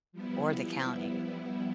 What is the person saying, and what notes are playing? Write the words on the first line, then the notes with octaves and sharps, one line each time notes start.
or the county.
F3 G3 B3 E4